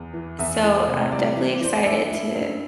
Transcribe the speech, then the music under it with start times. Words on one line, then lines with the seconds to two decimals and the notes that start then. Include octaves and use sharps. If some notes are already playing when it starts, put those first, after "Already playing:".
So I'm definitely excited to
Already playing: E2
0.13 E3
0.39 E2 E5
0.63 E3
0.75 C5
0.88 C3
1.12 G3 D5
1.36 E3
1.61 E3 C5
1.75 D5
1.86 G2 E5
2.11 E4
2.34 G2